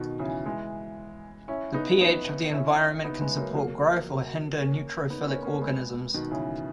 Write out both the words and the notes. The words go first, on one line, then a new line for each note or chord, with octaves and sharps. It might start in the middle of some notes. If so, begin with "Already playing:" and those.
The pH of the environment can support growth or hinder neutrophilic organisms.
Already playing: B2 D#3
C#3 E3
E3 G#3
C#4 E4
B3 D#4
B3 D#4
C#4 E4
B3 D#4
G#3 B3
F#3 A#3
F#3 A#3
A#3 C#4
B3 D#4
A#3 C#4
A#3 C#4
G#3 B3
B2 D#3
C#3 E3